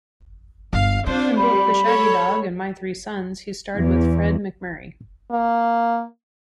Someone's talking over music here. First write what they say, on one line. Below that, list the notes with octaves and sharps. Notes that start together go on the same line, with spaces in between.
In both "The Shaggy Dog" and "My Three Sons", he starred with Fred MacMurray.
G1 F5
C4 D4 F4 C5
G3 B5
A4 C#5
E2
A#3